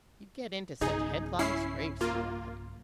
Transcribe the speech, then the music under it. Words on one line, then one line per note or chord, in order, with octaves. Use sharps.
"You get into such headlong scrapes, my lad."
B1 G2 C#3 D#4 G#4
C#4 E4 C7
A#3 F4